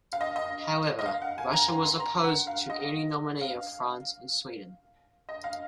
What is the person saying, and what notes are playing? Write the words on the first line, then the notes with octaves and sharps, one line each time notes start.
However, Russia was opposed to any nominee of France and Sweden.
F5
D#5
D#5
D#5
F5
F#5
G#5
A#5
C6
C6
A#5
F#5
F5
D#5
F5
D#5
F5